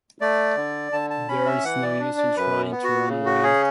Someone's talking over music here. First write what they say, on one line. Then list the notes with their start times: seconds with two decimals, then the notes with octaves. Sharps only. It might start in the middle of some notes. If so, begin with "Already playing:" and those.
There’s no use in trying to run away.
0.21 A3 D5
0.57 D3
0.92 D3 A5
1.10 A5
1.29 C#4 B5
1.46 E5
1.64 E3 F#5
1.83 D5
2.00 D4
2.18 D5
2.37 F#2 B4
2.71 B3
2.84 F#4
3.08 C#3
3.26 F#4
3.43 C#4 G#4